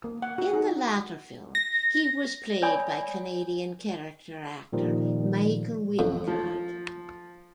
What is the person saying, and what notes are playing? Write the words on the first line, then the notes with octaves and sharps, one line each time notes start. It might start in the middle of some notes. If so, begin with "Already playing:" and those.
In the latter film, he was played by Canadian character actor Michael Wincott.
A#3
F#5
F#4
D#4
A#6
C#5 D5 G#5 B5 D#6
A#2 D#3 F3 G3
F2
F3